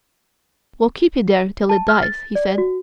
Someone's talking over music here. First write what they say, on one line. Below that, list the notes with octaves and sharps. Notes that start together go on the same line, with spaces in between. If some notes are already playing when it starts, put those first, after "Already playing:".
"We'll keep it there till it dies," he said.
A5
F6
A6
D5
F#4